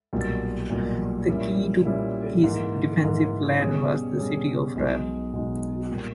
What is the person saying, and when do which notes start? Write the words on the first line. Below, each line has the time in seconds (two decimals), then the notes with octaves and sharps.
The key to his defensive plan was the city of Raab.
0.13 B1 A#2 G3
0.70 B1 A#2 G3
1.28 A#2 G3 C#4 E4
1.85 A#2 G3 C#4 E4
2.44 G#2 E3 A#3
3.01 G#2 E3 A#3
3.59 B2 G3 C#4 G#4 C#5
4.17 B2 G3 C#4 G#4 C#5
4.75 B1 B2 G#3 D#4
5.33 B1 B2 G#3 D#4
5.92 A#2 G3